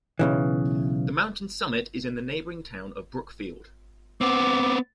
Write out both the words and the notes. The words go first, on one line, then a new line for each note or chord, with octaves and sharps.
The mountain's summit is in the neighboring town of Brookfield.
B1 C#3 E3
B3 C4 D6